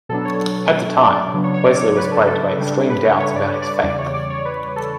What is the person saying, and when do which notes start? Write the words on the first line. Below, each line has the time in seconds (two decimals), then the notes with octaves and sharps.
At the time, Wesley was plagued by extreme doubts about his faith.
0.09 B2 F#3 B3 D4 A4
0.25 C#5
1.03 D5
1.34 C#3 F#3 B3 D4
1.44 C#5
1.54 C#5
1.64 D5
1.81 C#5
1.97 B4
2.12 A4
2.27 A4
2.58 C#3 G3 D4
2.90 B4
3.05 C#5
3.20 C#5
3.36 D5
3.62 D5
3.83 E2 C#3 G3 D5
3.98 C#5
4.14 D5
4.30 C#5
4.45 B4
4.76 A4